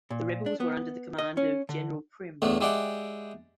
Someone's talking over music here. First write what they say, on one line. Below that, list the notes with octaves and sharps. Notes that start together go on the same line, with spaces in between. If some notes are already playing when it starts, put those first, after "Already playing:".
The rebels were under the command of General Primm.
A#2
D4
B3
D#5
C#4
D3
E2 A2 A3 B3 D4
G#3 E4 G4 D5 F#5 G5